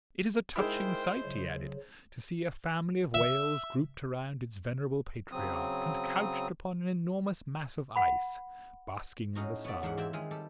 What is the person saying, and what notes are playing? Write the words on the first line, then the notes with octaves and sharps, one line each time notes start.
It is a touching sight," he added, "to see a family of whales grouped around its venerable patriarch, and couched upon an enormous mass of ice, basking in the sun.
G#3 D#4 E4 A#4 C5 G5
C#3 F#3
E5
C#3 F#3 C4 D#6
F#5 B5
A2 C#4 D#4 F#4
B3 C#5 D5
E2 G#2 G#3 A#3 F#5
E3 C4 E4 G4 E5
D#3 G#3 F4 G#4
G3 G4 A4